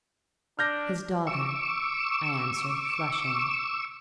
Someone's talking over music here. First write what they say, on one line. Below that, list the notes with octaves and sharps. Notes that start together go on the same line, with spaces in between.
'His daughter,' I answered, flushing.
D4 F6 G6 A#6
C#6 D6 E6